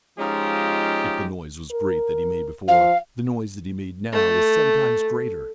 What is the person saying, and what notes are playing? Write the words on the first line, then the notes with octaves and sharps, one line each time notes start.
If the noise was great that he made before, the noise that he made now was seven times greater.
F3 G#3 C#4 D#4 F4 G4
A#4
F3 F5
A3